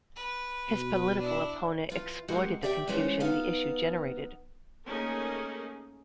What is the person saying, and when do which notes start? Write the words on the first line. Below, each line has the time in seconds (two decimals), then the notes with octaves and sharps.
His political opponent exploited the confusion the issue generated.
0.16 B4
0.69 B2
1.19 D4 E4
1.90 E3 F4
2.28 G#3 C4 F#4 G4 A#4
2.63 G4 D5 E5 F5 G5
2.88 E3 G#3 A3 C#4 F4 C5
3.20 B3 D#4 F5
4.87 A3 A#3 C#4 D#4 G#4 A#4